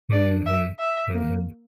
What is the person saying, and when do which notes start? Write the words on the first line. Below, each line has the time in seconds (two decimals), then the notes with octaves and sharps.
Mhm, mhm.
0.12 D4 D5
0.46 E5
0.79 E5
1.15 A#3